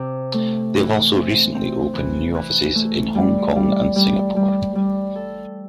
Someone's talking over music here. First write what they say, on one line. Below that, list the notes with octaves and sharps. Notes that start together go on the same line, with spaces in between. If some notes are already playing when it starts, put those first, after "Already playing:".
They have also recently opened new offices in Hong Kong and Singapore.
Already playing: C3
A3
E3
C4
C4
E3
E3
A3
G3
G3
G3
G3
G3
A4